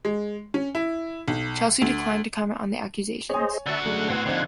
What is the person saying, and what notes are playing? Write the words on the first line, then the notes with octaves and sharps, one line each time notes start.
Chelsea declined to comment on the accusations.
G#3
C#4
E4
B1
D2
G#4 C5 C#5 D#5 G#5
D3 F#4 E5 A5
F#2 G#3 A3
A2 B3 C4 F#4 F#5 C6 G#6
F2 D3 C4 D#4